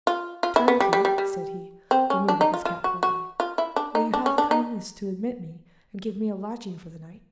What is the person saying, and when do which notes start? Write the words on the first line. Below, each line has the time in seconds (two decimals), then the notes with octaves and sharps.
"Turnkey," said he, removing his cap politely, "will you have the kindness to admit me, and give me a lodging for the night?"
0.07 F4
0.43 F4
0.56 E4
0.68 B3
0.80 G3
0.93 G3
1.05 G3
1.18 G3
1.91 C4
2.10 C#4
2.28 D4
2.41 D#4
2.54 F4
2.65 F4
2.84 F#4
3.03 F#4
3.40 F4
3.58 E4
3.76 D4
3.95 D#4
4.14 D4
4.26 C#4
4.38 D4
4.51 D#4